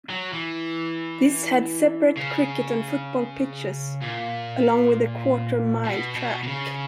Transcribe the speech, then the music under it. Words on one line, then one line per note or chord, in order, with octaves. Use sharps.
This had separate Cricket and Football pitches along with a quarter mile track.
F#3
E3
C#3
A#2
B2
B2
B2
C#3